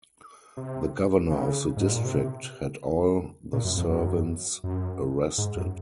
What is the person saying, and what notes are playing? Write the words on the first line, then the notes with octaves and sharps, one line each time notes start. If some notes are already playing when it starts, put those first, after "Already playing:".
The governor of the district had all the servants arrested.
C3
C#3
G#2
A#2
C3
A#2
F#2
F2
F#2
F#2
G#2
F#2